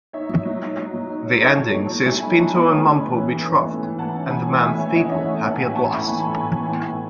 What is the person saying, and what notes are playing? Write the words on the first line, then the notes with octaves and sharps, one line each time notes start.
The ending sees Pinto and Mumpo betrothed, and the Manth people happy at last.
D#4 C#5 E5
F#3
F#3
D#4
F#3
F#3
D#4
D#4
D#4 A4 C#5
F#3
F#3
F#3
F#3 E5 G#5
D#4 G#5 B5
F#3 A5 C#6
B3 G#5 B5
A3
C#4
E3
E3
E3
E3
A3
E3
E3 F#5 A5
C#4
E3 G#5 B5
A3
A3 E5 G#5
E3 C#5 E5
E3 D#5 F#5
C#4 C#5 E5
A3
E3 F#5 A5
A2 E5 G#5
E3 A5 C#6
A2 G#5 B5
E3 G#5 B5
B5
A3 A5 C#6
A2 G#5 B5
E3
E3
A2